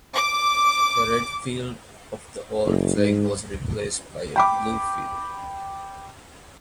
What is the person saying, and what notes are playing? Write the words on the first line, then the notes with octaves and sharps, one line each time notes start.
The red field of the old flag was replaced by a blue field.
D6
F#1
G#2
G5 B5 D6